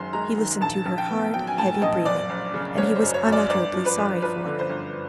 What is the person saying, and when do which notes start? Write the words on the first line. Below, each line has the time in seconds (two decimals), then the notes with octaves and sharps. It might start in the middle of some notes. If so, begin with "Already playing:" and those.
He listened to her hard, heavy breathing, and he was unutterably sorry for her.
Already playing: F#1 F#2 D#3 G#3 C6
0.13 G#3 A#5
0.38 D#3
0.61 A#1 A5
0.86 A#1
0.98 G5
1.09 B3
1.34 F#3 G5
1.47 G#5
1.58 A2 A5
1.82 A#1 D#5
2.05 F#1 D5
2.30 F#1
2.54 C#3
2.77 F#1 C#5
2.96 C5
3.02 F#2
3.14 C#5
3.26 F#2
3.32 D5
3.50 G1 D5
3.73 F3
3.85 B4
3.98 G1
4.22 F3 B4
4.46 D3
4.59 C5
4.70 G1